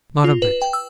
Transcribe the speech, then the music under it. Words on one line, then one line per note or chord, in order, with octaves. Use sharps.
Not a bit.
F4
B4
G5
E6